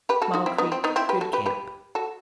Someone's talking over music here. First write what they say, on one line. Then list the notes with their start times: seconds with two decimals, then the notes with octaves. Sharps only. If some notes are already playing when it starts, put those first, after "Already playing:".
Small Creek.--Good camp.
0.09 G4 B4
0.22 F#4 A4
0.34 D#4 F#4
0.46 C4 E4
0.58 B3 D#4
0.72 C4
0.84 B3 D#4
0.96 C4 E4
1.09 G4 B4
1.21 F#4 A4
1.33 G4 B4
1.46 G4 B4
1.95 F#4 A4